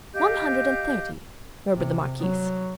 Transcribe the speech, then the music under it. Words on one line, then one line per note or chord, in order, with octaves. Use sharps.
"One hundred and thirty," murmured the marquise.
G4 D#5 F5 G6
C3
F#3